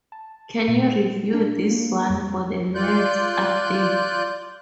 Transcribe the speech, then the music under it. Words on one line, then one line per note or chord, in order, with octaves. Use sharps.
Can you review this one for the lads up there?
A5
A#2
D4
A#3
F2
F4 D5 F#6 G6